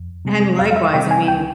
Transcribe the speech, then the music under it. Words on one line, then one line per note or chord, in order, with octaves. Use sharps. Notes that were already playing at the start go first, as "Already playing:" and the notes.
and likewise, I mean
Already playing: F2
C3 G3 C4
F2 F5
F5
E5
C3 G3 C4 G5
G#5
C#2 G5